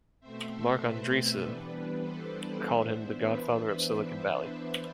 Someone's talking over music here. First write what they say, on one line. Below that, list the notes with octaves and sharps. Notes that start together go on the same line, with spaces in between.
Marc Andreessen called him the godfather of Silicon Valley.
B2 A3 C4 C5 E5
A4 C5
B4
A4
E3 G3 B3 D4 B4
A4 C5
B4 D5
E3 B3 D4 C5 E5
B4